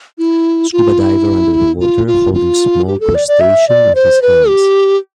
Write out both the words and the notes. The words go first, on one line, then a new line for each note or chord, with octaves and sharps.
Scuba diver under the water holding small crustacean in his hands.
E4
F4
E4
F4
F4
F4
G4
A4
D5
D5
E5
D5
C5
B4
G4